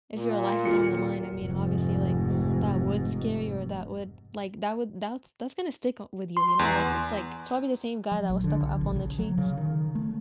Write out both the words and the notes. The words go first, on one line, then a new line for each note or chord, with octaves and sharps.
if your life is on the line, I mean, obviously like, that would scare you or that would, like, that would that's that's gonna stick up with you, you know, that's it's like, it's probably the same guy that was stuck up on the tree.
A#2
D#1 F4 C#7
F1 G#2
C6
E2
F#3
A#1
D3
B1
A#1
C#3
F#3
C#3
D#3
A3